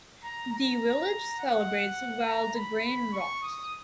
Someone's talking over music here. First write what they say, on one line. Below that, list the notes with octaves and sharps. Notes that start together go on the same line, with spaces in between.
The village celebrates while the grain rots.
A#5
A#5
F#5
A#5
B5
B5
C#6
D#6